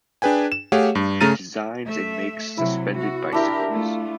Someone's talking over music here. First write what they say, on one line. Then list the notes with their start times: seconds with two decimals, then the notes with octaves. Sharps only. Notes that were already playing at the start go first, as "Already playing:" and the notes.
It designs and makes suspended bicycles.
0.22 D4 G#4 B4 G5 G#5
0.52 E7
0.72 A3 G4 G#4 C#5 F5 F#5
0.95 G2
1.21 C#3 A3 A#5 F6 A6 D#7
1.86 A3 E5
2.57 C3 F#3 E4
2.97 F#4
3.32 D4 E4 G4 A#4
3.69 A3 F4